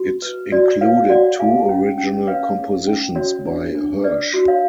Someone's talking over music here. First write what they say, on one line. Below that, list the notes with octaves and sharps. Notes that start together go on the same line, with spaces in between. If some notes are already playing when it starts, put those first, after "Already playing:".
It included two original compositions by Hersch.
Already playing: F#4
B4
F#4 D5
B4 C#5 F5
F#4 D5 F#5
G#4 F5 G#5
C#4
C#4
B4 C#5 F5
G#4
C#4
F#4 C#5
D4
D4
B4 D5
F#4
C#5 F5